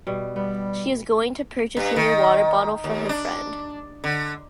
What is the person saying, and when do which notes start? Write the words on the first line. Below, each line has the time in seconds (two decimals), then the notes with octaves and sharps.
She is going to purchase a new water bottle for her friend.
0.07 B2 G3
0.36 G3 B3
1.77 G2
1.96 D#3
2.84 D#2
3.09 D4
4.04 D3